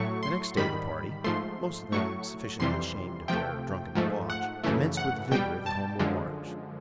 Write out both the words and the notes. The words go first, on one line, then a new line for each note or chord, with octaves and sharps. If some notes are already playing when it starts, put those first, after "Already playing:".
The next day the party, most of them sufficiently ashamed of their drunken debauch, commenced with vigor the homeward march.
Already playing: A2 F#3 A3 C#6
C6
G#2 D#3 G3 B5
G#2 F3 A3 C6
A2 F#3 A3 C#6
F2 C3 E3 G3 C6
C3 F3 A3 G5
G#2 F3 A3
F#5
F#2 C#3 E3 A3
F#5
B2 G3 G5
A5
F#2 D3 F3 G#3